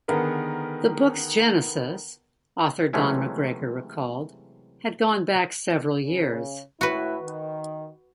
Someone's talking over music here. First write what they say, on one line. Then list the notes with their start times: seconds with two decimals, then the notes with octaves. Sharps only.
The books' genesis, author Don McGregor recalled, had gone back several years.
0.08 D3 D#3 B3 G#4 A#4 B4
2.93 C3 E3 F#3 G#3 A3 C#4
6.05 C#3
6.81 A2 E4 F#4 B4
7.22 D#3